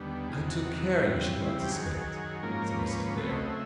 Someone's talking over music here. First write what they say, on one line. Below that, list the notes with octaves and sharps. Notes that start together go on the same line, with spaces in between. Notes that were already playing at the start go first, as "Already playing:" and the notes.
"I took care you should not suspect," said Mrs. Adair.
Already playing: D#2 D3 G3 B3
E2 C3 D#3 G#4
F#4
C#3 E3 G3 C4
E4
G4
F#2 D#3 F#3 G#4
G#2 F3 A#3 C#4 A#4
B4
B4
C#3 F#3 A3 C4 B4
D#5
E5